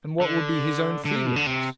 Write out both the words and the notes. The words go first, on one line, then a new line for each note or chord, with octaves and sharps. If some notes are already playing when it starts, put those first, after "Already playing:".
And what would be his own feelings?
D3
D3
C3
B2
D3
C3